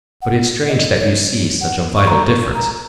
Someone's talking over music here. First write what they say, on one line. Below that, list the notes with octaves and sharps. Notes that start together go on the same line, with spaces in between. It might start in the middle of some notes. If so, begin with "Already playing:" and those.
"But it's strange that you see such a vital difference."
F#5
D#5
C#5
F#5
C#6
A#5
A#5